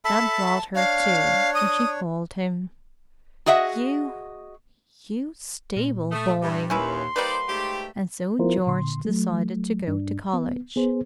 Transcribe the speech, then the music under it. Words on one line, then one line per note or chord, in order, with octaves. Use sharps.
That brought her to and she called him "You--you--stable boy." And so George decided to go to college.
A4 E5 A5 B5
D4 C#5 F5
D#6
F#4 G#4 D#5 E5 F#5
A#2
A3 D#6
G2 E5
D#2 C#4 E4 B4 C6
G3 A#3 D#4 B4 C5 D5
G#2 A3 G4
F3 B3 E4 F4 A#4 C5
A#2 D3 C6
F#3 A3
G2 D4
B3
B3 G#4 C5